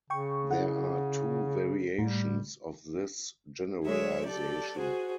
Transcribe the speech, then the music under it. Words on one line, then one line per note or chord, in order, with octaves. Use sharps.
There are two variations of this generalization.
C#3 G5 C#6
E4 F#5
A2 G3
F#3 G#3 C#5 E5
G4 A4 D5
F#4 G#4 C5